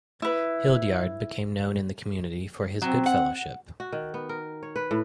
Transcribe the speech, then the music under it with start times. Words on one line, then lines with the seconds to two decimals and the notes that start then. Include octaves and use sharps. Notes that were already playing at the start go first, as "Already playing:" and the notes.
Hildyard became known in the community for his good fellowship.
0.22 E4 B4
2.82 F#3 C4
3.06 F#5
3.80 F#4
3.92 D#3
4.14 B3
4.29 A#4
4.63 C#5
4.76 B4
4.91 A2